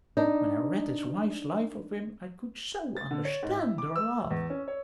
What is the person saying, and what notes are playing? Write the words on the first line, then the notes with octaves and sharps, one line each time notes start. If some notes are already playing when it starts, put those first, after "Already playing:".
When I read his wife's life of him I could so understand her love!
D4 D#4
A6
D3
C#5
G#2
E4
D6
E6
E2
C#4
C#5